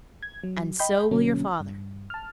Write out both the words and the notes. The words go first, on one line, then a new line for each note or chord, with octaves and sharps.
"And so will your father."
G#6
F#3
D#5 G5 B5 C6 G6
B2 D3 F#3 A#3 C#4
G2
A5 F6